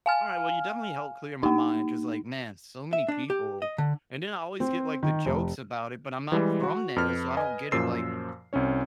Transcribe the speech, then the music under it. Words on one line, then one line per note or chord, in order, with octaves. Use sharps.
Alright. Well, you definitely helped clear my mind ‘cause, like, man, so many people and then I always get, like, the jokes about it, but I'm not from there, so I don't get it. Like,
F5 G#5 F6
A#3 D#4
E5
D4
G4
D#5
D3
C4
D#3
F1
E3 G3 G#3
F#4
F2 B4 F6
B4 D#5 G#5
F#2 A#2 F3 C5 E6 C7
C2 C4 C#4 C#5